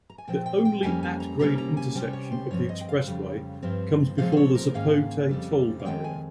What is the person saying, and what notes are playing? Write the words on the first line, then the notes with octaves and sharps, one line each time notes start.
The only at-grade intersection of the expressway comes before the Zapote toll barrier.
A#5
G#5
A#2 F3 C4 G5
G5
G5
F2 C#3 G3 A#3 C#4 G#5
G#5
A#5
C3 D#3 G3 A#3 C#4 A#5
A#5
G#5
C3 G3 C#4 G5
C#5
C5
G2 F3 C4 C#5
D#5
G5
F5
F2 C#3 G3
G2 F3 C4
A#2 F3 G#3 C4 F5
C5
C#5
A#4
G#2 D#3 A#3 C#4 F5
F2 C#3 G3 C4
F5
F2 D#3 G#3 C4 G5
G#5